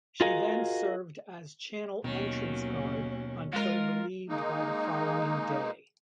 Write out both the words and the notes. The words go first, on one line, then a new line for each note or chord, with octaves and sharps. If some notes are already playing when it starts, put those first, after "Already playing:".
She then served as channel entrance guard until relieved by the following day.
F4 F#4 G#4 A#4 D#5 F5
D#2 B2 D#3 F#3 C#4
G#3 F4 A#4
G#3 A#3 D#4